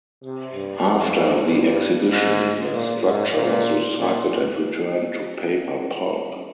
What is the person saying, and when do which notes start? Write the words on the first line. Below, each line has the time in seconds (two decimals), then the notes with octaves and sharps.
After the exhibition the structure was recycled and returned to paper pulp.
0.24 C3
0.54 G2
0.86 F2
1.47 G2
2.10 G#2
2.72 A#2
3.04 G#2
3.34 A#2
3.97 A#2